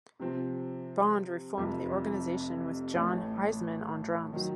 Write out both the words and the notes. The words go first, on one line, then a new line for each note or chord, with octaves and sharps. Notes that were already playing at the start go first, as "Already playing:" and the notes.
Bond reformed the Organisation with Jon Hiseman on drums.
C3 F3 C4
F1 F2 C3 F3
A1 A2 A3 C#4
D#3 F#3